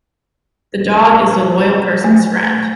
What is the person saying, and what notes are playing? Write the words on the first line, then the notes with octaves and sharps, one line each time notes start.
The dog is the loyal person’s friend.
A3